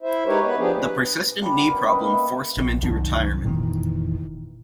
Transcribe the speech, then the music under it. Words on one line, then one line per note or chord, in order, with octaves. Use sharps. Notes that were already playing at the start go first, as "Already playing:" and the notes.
The persistent knee problem forced him into retirement.
E4 C5 E5
G#3 D#4 G4 A#4 B4 C#5
B3 B4
F3 B3 D4 G4 G#4
B4
G3 D4 F4
A#4 D5 F#5 A5
C#4 B4 B5
D#4 B4 D5 G5
A#3 D#4
E5
A#1
C2 F#2 D#3
F1 A#2 D#3 E3